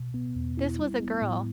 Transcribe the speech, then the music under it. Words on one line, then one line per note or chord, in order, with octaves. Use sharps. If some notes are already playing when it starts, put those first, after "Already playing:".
This was a girl.
Already playing: B2
B3
E2
E4
G3
B3
A2